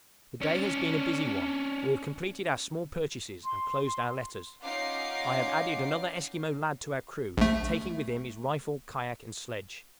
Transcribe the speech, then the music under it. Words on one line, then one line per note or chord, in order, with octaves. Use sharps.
The day has been a busy one: we have completed our small purchases and closed our letters; I have added another Esquimaux lad to our crew, taking with him his rifle, kayak, and sledge.
C#4 D4
C6
C#4 D#4 F4 F#5 D6 C7
A#1 A3